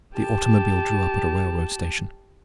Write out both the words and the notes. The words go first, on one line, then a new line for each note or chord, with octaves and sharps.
The automobile drew up at a railroad station.
G4 A5